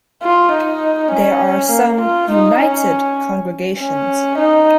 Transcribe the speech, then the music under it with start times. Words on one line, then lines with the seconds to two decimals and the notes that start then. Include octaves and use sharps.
There are some "united" congregations.
0.23 F4
0.52 D#4
1.12 C#4
1.71 A#3
2.01 F4
2.31 D#4
2.60 C#4
3.79 C#4
4.38 D#4